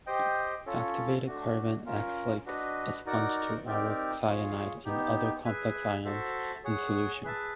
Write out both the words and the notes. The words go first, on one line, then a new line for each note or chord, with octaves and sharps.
Activated carbon acts like a sponge to aurocyanide and other complex ions in solution.
G4 C5 D#5 G5
C#4 F4 A4 C#5
A3 D4 F#4
C#4 F4 A#4
D4 F#4 B4 D#5
D#4 F#4 A#4 D5 F#5
C4 D#4 G4 A#4 D5
F4 G#4 C#5
B3 D#4 G4
G#4 B4 E5 G#5
F#4 A4 C5 E5 A5
G#4 C#5 F#5
G#4 B4 E5 A5